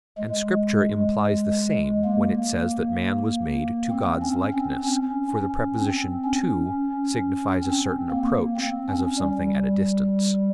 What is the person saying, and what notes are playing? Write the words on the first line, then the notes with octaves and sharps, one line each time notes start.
And Scripture implies the same when it says that man was made "to" God's likeness; for the preposition "to" signifies a certain approach, as of something at a distance.
G#3
A#3
C4
C#4
C4
C#4
C#4
C4
C#4
C4
A#3
C4
C#4
G3